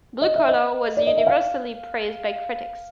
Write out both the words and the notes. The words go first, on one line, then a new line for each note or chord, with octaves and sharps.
"Blue Collar" was universally praised by critics.
D#5
E5
D#5
D5
D#5
E5
F5